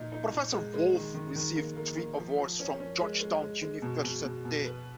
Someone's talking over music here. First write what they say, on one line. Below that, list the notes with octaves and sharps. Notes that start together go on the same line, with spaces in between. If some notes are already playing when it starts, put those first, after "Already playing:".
Professor Wolff received three awards from Georgetown University.
Already playing: A#2 D#4
D#4
A#2
G#3
G#3
D#3
D#3
D#3
A#3
A#3
A#3
F3
F3
C#4
C#4
G#3
G#3
G#3
G#3
B2
B2
B2
B2
B4